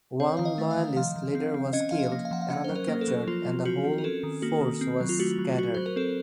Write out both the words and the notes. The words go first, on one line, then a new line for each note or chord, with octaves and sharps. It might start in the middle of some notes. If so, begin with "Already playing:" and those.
One Loyalist leader was killed, another captured, and the whole force was scattered.
C4 C#5
D#3 F5
D#5
A3
F5
D#3
F3 F5
F3
C4
C4
C#4 D#5
F3 F5
D#5
A#3
F5
F3 F#5
F5
C#4 F#5
C5
F#3
A#4
A#3
A4
F#3
F3 F4
F3
C4 F#4
C4
A#4
C#4 A4
D#3
A#3 F#4
D#3
C4
F#3
F4
A3 F#4
F#3
F#3 F#4
F#3 C5
A#4
C4 A4